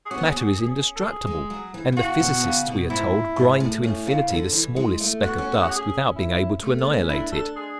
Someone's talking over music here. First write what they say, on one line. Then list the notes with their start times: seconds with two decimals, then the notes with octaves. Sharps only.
Matter is indestructible, and the physicists, we are told, grind to infinity the smallest speck of dust without being able to annihilate it.
0.05 G#4
0.11 C#4 F#4
0.18 B3
0.26 C#4 G#4
0.37 F#4
0.42 G#4
0.57 G#4
0.96 A4
1.04 G#4
1.27 G#3
1.50 F#3
1.74 E3
1.92 B2
1.97 C#3 F#4
2.20 B2
2.44 C#3
2.67 B2
2.90 G#2 E4
3.36 G#2
3.60 A2
3.83 A2 C#4
4.07 C#3
4.30 D3
4.53 E3
4.76 G#3
5.00 A3
5.23 B3 F#4
5.38 C#4
5.54 C#4
5.63 F#4
5.70 G#4
6.16 E4
6.62 A3
6.78 B3
6.93 C#4
7.09 D4 E4
7.32 A4
7.56 G#4